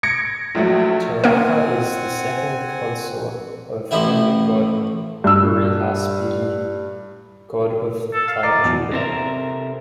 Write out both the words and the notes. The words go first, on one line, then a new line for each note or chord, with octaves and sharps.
Taraka is also the second consort of Hindu God Brihaspati, God of planet Jupiter.
G#6 A#6 C#7 D7
A#1 F3 F#3 A3
A#3 C4 A#4 F#5 G#5
A1 A2 F3 E4 E5
G2 E6
A4
F5
D5 D#5 A#5 C7
E2 B2 F#3
C3 C4 A4 A#4 E5 A#5